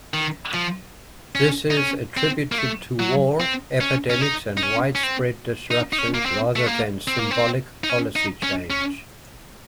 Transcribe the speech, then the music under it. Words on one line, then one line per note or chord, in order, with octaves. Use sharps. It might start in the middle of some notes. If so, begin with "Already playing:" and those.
This is attributed to war, epidemics and widespread disruptions rather than "symbolic policy change".
D#3
F3
C#4
D#4
C#4
C4
A#3
A3
F#3
C4
C#4
C#4
D#4
D#4
C#4
C#4
C4
D#4
D#4
C#4
A#3
C4
A3
A#3
C4
A#3
C4
D#4
C#4
D#4
C#4
C#4